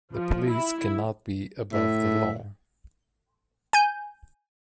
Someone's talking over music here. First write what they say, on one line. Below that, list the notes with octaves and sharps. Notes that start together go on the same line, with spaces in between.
The police cannot be above the law.
F3
E4
A2 E5
G#5 G6